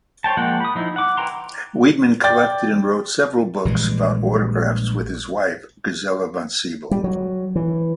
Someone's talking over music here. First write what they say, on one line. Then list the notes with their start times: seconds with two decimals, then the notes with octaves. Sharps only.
Wiedemann collected and wrote several books about autographs with his wife Gisela von Sybel.
0.24 C5 C#5 G5 A5
0.37 F3 G#3 A#3 F#5 G5
0.60 B5 D#6
0.75 F3 D#4 E4
0.96 F#5 D6
1.17 E4 B4 G5 A#5 C6
2.23 D5 G5 G6 A6
3.65 A#1 E3 G3 G#3
6.91 G3
7.04 F#3
7.56 E3